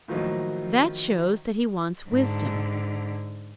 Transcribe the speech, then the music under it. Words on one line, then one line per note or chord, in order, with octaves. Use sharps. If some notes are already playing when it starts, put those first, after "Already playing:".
That shows that he wants wisdom.
A2 D#3 F3 F#3 A#3 D#4
G#2 D3